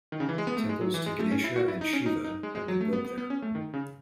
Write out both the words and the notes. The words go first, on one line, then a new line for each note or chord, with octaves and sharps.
Temples to Ganesha and Shiva have been built there.
D#3
C#3
E3
G#3
B3
A3
G#3
F#3
E3
G#3
A3
C#4
E4
F#4
E4
D#4
C#4
D#4
D#4
G#3
G#3
F#3
A3
B3
B3
B3
C#4
A3
D#3
C#3